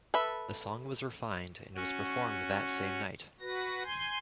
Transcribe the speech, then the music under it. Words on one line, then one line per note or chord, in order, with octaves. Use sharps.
The song was refined and was performed that same night.
A4 B4 E5 B5
C#4 F#4
F#4 B4 A#6
G#5 C6 G6